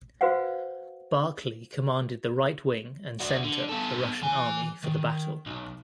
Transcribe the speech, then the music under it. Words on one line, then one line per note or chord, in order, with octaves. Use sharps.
Barclay commanded the right wing and center of the Russian army for the battle.
F#4 B4 C5 F5 F#5
D4 F#4
D3
B3 A4
E3 G#5
D#3
B1